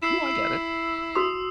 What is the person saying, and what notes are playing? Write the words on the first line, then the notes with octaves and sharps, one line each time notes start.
No, I get it.
E4 E6 C7 E7
F#4 C6 D#6 E6